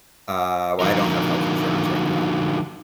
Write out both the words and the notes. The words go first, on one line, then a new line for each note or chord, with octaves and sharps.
Uh, well, I don't have health insurance right now.
D3 F3 D#4 F#4 A#4